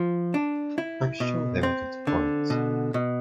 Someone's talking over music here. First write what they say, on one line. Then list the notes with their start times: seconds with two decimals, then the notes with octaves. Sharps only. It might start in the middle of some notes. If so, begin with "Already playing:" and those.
I'm sure they would get a point!
Already playing: F3
0.34 D4
0.78 E4
1.20 B2
1.63 C4
2.07 D3
2.50 B2
2.94 B2